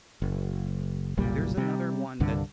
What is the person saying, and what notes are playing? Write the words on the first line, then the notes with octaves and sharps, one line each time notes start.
There's another one that's
F#1
F#1 B1 A#2 G3
C3 G3
C2 G2 D3